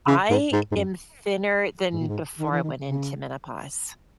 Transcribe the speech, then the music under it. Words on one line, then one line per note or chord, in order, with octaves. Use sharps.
I am thinner than before I went into menopause.
C#3
G#2
G#2
G#2
F#2
G#2
A#2
G#2
D#3
E3
D#3
C#3